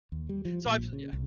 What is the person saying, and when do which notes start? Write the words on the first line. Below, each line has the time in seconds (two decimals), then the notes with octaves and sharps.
So I've yeah.
0.12 D#2
0.29 G3
0.45 F3
0.66 A#2
0.78 A#1
0.93 C#3
1.13 C2